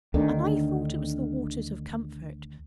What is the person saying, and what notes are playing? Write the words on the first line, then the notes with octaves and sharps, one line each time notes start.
And I thought it was the waters of comfort.
D2 D3 D#3